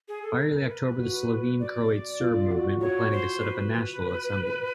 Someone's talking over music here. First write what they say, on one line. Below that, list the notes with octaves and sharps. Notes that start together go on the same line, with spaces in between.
By early October, the Slovene-Croat-Serb movement were planning to set up a National Assembly.
G#4
A4
A#4
B4
F#4
D5
F4
F#4
F#4 C#5
C5
B4